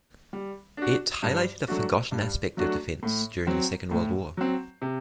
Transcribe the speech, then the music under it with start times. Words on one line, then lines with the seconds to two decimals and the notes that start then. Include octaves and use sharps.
It highlighted a forgotten aspect of defence during the Second World War.
0.33 G3
0.77 D4 F#4
1.23 G2
1.68 F#3 A3 D4 F#4
2.12 G2
2.57 F#3 A3 D4 F#4
3.03 A2
3.47 F#3 C4
3.91 A2
4.37 F#3 C4
4.82 C3